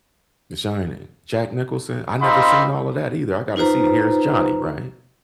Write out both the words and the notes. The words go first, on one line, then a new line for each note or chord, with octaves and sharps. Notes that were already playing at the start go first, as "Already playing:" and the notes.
The Shining, Jack Nicholson, I never seen all of that either. I gotta see, "Here's Johnny," right?
A#3 C4 D#4 F4 B5
D#4 F4 B4 C5 A#5